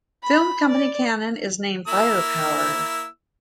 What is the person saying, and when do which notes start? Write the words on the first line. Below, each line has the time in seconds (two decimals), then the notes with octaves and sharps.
Film company Cannon is named Firepower.
0.23 B5
0.69 D5
1.88 A#3 E4 E6